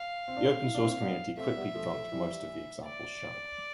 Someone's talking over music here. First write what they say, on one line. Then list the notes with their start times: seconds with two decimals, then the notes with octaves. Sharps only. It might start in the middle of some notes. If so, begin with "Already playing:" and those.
The open source community quickly debunked most of the examples shown.
Already playing: F5
0.28 C4
0.37 D4
0.45 A3 C4
0.64 E4
0.75 D4
0.85 C4 E4
1.01 B3 D4
1.37 A3 C4 E5
1.56 G3 B3
1.75 F3 A3
1.93 F3 A3
2.12 E3 G3
2.85 D5